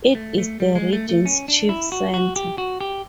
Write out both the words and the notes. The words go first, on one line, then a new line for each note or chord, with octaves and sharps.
It is the region's chief center.
A3
A3
G3
G#3
A3
A3
C#4
D4
E4
F#4
F#4
G4
F#4
G4